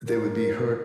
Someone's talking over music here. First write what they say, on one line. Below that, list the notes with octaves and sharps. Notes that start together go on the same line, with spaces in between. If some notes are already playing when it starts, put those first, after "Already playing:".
they would be hurt
A#4